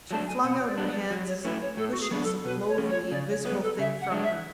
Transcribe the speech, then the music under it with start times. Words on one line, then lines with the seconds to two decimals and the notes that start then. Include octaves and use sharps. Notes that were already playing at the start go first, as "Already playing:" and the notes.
She flung out her hands as if pushing some loathly, invisible thing from her.
0.11 F#3 A3 D4 A5
0.27 G#5
0.43 B2 F#5
0.59 C#5
0.66 D5
0.78 G#3 B3 D4
0.89 D5
1.11 F#3
1.27 C#5
1.44 A3 C#4 E4 B4
1.61 C#5
1.77 A2 A4
1.91 F#4
2.00 G#4
2.11 F#3 B3 D4
2.22 A4
2.44 B2 B4
2.67 C#5
2.78 A3 C#4
2.89 C#5
3.11 C#3 D5
3.29 C#5
3.45 G#3 B3 B4
3.62 A4
3.79 C#3 E5
4.01 F#5
4.11 G#3 D4
4.22 E5